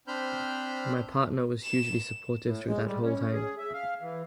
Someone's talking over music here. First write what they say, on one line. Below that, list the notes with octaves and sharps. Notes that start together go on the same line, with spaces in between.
And my partner was hugely supportive through that whole time.
C4 D4 C5 B5 F6 G6
E7
A2
G#3
G3
C#4
C#4
G#4
E5
F5
E3